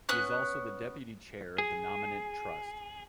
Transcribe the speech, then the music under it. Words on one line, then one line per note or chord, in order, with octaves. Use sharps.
He is also the deputy chair of the Nominet Trust.
B3 C#4 F#6
G#4